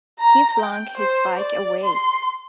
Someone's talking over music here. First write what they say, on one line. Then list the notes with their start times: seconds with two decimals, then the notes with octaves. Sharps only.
He flung his bike away.
0.19 A#5
0.59 G5
0.97 C5
1.37 D5
1.84 C6